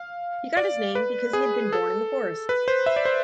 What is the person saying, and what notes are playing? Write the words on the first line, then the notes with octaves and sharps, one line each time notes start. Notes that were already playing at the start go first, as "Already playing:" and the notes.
He got his name because he had been born in the forest.
Already playing: F5
D5
B4
G#4
A4
B4
C5
E5
D5
C5